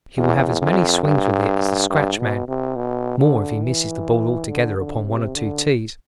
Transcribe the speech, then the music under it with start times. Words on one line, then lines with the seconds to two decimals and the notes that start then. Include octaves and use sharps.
He will have as many swings with it as the scratch man; more, if he misses the ball altogether upon one or two tees.
0.17 E2
0.61 F2
1.04 G2
1.90 G2
2.20 B2
2.48 C3
2.76 B2
3.20 D3
3.63 E3
4.49 D3
4.78 D3
5.06 C3
5.35 D3